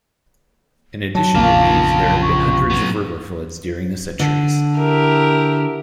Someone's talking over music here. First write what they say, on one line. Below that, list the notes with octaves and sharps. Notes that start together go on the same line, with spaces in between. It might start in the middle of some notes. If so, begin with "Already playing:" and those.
In addition to these there have been hundreds of river floods during the centuries.
F#3 A5
A#1 F2 C#3 A#3 F4
C#6
F#3 B3
D3
E4 G4 A#4